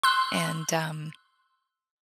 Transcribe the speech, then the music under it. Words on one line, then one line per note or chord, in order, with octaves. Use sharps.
and, um,
C6 E6 F#6